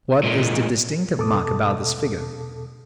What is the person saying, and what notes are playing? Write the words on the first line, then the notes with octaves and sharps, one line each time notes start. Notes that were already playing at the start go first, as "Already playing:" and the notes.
What is the distinctive mark about this figure?
A#2 G#3
E2 B2 A4 A5 D6 D#6